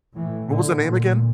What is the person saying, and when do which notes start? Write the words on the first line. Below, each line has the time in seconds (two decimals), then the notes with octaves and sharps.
What was the name again?
0.16 A2 E3
0.48 A2 D3
0.80 A#2